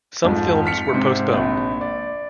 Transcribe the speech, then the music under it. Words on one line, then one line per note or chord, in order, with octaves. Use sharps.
Some films were postponed.
F2 G#2 F3
F6 B6 C#7
G#2 C3 C4
A#1
D5